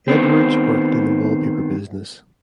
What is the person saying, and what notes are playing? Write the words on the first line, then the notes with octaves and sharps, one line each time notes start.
Edwards worked in the wallpaper business.
D#3 B3 C4